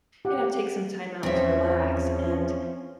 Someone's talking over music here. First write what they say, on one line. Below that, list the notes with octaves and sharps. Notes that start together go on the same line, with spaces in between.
you know, take some time out to relax, and
G4 F#5
E2 F3 C4 C#4 E5